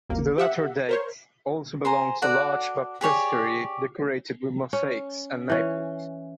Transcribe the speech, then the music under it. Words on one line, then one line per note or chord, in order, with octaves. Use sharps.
To the latter date also belongs a large baptistery decorated with mosaics at Naples.
G#1 D#2 A#3
G4 E5 F#5
A#4 C5 C#5
C5 G#5 A#5
F#4 A4 D5 F#5
G4 G#4 C#5 D5
C#4
E3 C#4